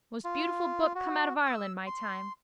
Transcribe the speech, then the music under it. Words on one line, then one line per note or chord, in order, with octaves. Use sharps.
Most beautiful book come out of Ireland my time.
F4
F#4
E6
C6